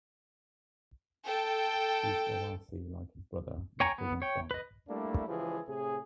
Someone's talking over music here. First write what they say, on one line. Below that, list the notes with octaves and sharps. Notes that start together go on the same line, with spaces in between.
Chief Wawasee, like his brother, was big and strong.
A4 G5
C#5 G5 G#5 A#5 C#6
B3
C#5 G5
B4 D#5
G3 A3 A#3 D4 E4
C#2 E3 F3 G4 G#4
A2 C3 G#4